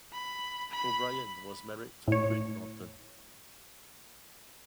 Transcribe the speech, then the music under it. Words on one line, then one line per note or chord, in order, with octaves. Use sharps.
O'Brien was married to Quinn Norton.
B5
B5
A2 C#5